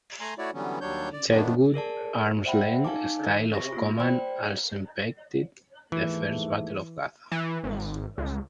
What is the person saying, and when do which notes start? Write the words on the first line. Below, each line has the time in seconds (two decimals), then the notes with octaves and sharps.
Chetwode's "arms length" style of command also impacted the First Battle of Gaza.
0.20 A3 G#5 A#5 C6
0.38 A3 E4 F#4 C#5 D5
0.54 D3 E3 F#3 G3 B3 C#4
0.81 D#2 F#3 G3 D4 C#5 G6
1.13 D5
1.30 F#2 D#3 F3 A3 B3 D4
1.74 G#4 A#4 D5 A5
2.44 C5 D5 E5 F#5 G5 B5
2.85 D#4 F5 G#5 A5 D6
3.53 C#6 A#6
3.73 A#3 F4
4.00 C5 D5 G5 B5
5.92 D#2 G#2 E3 A3
7.32 E3
7.64 G#1
8.18 C#2